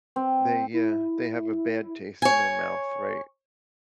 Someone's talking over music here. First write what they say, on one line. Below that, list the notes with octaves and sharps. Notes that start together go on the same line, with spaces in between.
They, uh, they have a bad taste in their mouth, right,
C4
E4
C#5 G#5